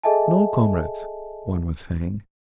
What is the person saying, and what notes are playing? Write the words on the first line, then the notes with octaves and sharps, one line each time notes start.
"No, comrades," one was saying.
G#4 A4 D#5 E5 G#5 A5